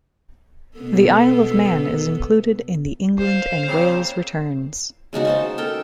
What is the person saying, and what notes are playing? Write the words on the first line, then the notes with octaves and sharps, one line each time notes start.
The Isle of Man is included in the England and Wales returns.
B2 B3 A4
C5 F5
A#2 C#3 C4
C#3 G#3 D#4 F#4
C#4 C5 A5
A4 A#4 G5